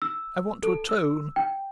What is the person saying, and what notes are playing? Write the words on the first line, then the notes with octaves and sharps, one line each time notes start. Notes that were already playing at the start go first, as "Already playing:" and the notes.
I want to atone.
E6
A4
E6
G5